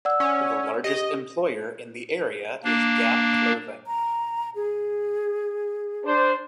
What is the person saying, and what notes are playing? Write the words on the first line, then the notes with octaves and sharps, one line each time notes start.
The largest employer in the area is Gap Clothing.
D5 F#5 E6
C#4
G4 D#5
A#3 D4
A#5
G#4
D4 C5